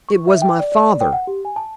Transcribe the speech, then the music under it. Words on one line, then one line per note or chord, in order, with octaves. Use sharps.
It was my father.
C#6
E5
G5
D5
D5
G5
F#5
G4
G#5
A5